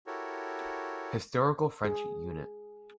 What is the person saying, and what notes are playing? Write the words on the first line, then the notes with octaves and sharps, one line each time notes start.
Historical French unit.
E4 F#4 G4 A4 A#4 C#5
G#4